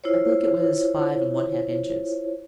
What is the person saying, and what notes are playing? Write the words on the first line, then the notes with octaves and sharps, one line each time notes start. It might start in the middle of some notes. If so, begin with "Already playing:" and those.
I think it was five and one-half inches.
E4 F4 C5 C#5